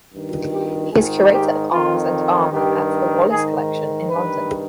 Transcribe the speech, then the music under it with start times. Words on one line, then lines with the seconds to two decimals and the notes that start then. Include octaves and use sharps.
He is Curator of Arms and Armour at the Wallace Collection in London.
0.12 G2 D#3
0.51 G4
0.91 G#2 D#3 G#4
1.31 G4
1.70 F2 D#3 F4
2.50 G2 D#3 G4
3.29 G#2 D#3 G#4
4.09 G2 D#3 B4